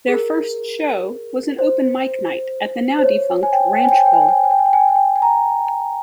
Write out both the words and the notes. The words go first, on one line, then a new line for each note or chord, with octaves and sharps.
Their first show was an open-mic night at the now defunct Ranch Bowl.
G#4
A#4
C5
C5
C#5
G#5
G5
G5
G#5
G5
G#5
G5
G#5
G5
G#5
G5
G#5
G5
G#5
G5
G#5
G5
G#5
G5
G#5
A#5